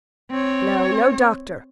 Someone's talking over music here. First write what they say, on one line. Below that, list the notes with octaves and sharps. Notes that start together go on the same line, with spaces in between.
No--no doctor.
C4 C#5